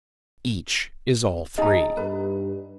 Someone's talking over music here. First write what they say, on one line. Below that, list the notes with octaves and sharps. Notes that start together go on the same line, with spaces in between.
Each is all three.
D#4 G#4 D#5 A#5
G2 B4